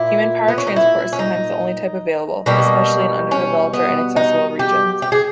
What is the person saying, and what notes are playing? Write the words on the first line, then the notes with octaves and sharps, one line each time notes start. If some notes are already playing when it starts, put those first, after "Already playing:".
Human-powered transport is sometimes the only type available, especially in underdeveloped or inaccessible regions.
Already playing: A#2 A#3 E4
B3
C#4
D#4
E4
C#4
D#4
B2 G3 A#3
C#4
B3
D#4
G4
G4
G#4